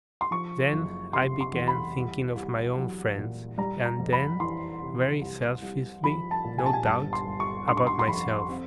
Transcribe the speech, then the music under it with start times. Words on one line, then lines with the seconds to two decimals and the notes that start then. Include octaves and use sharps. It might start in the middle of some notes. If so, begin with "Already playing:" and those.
Then I began thinking of my own friends, and then, very selfishly no doubt, about myself.
0.21 C6
0.31 F3 C#6
0.72 F#1
1.13 C3 C6
1.41 C6
1.54 E2
1.68 B5
1.95 C2
2.35 C2
2.77 F#3
3.18 A#2
3.58 G3 A#5
3.86 A#5
3.99 F2
4.13 B5
4.40 E3 C6
4.81 C3
5.22 C2
5.62 C2
6.04 F3 B5
6.31 A5
6.45 A#2
6.58 G#5
6.66 A5
6.73 G#5
6.85 G1 A5
7.13 C6
7.26 G1
7.40 C#6
7.67 D3 C6
7.77 C#6
7.87 C6
7.99 C6
8.08 F2 B5
8.49 C4